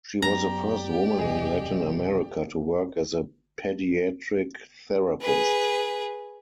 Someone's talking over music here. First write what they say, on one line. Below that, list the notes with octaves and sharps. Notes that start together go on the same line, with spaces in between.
She was the first woman in Latin America to work as a pediatric therapist.
F#2 F#3 B3 G4 D5 A#5
E1 C2 F#2 G#4 D#5
G#4 B4